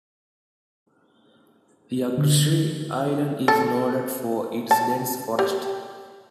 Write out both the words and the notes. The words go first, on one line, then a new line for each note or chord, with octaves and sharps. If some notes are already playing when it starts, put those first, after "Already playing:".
Yagishiri Island is noted for its dense forest.
D3
A4
A5
G4